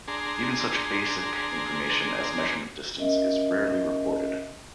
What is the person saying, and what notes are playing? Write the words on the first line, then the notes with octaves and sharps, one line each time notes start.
Even such basic information as measurement distance is rarely reported.
D4 G#4 A#5 C6
C#4 A#4 D#5 E5